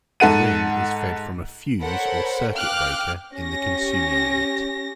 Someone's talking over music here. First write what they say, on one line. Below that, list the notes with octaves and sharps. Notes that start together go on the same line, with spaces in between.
The ring is fed from a fuse or circuit breaker in the consumer unit.
G#2 A4 F#5 D#7
A4 A#4 C5 C#5 F#5 B5
F5 G5 D6 F6 F#6
C#4 G4 A#6